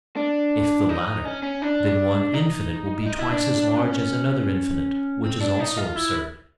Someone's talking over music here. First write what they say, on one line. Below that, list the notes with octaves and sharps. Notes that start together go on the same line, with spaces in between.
If the latter, then one infinite will be twice as large as another infinite, which is also absurd.
D4
D#4
C#4
C#4
D4
D#4
D#4
E4
D4
C#4
C4
D4
D#4
F4
E4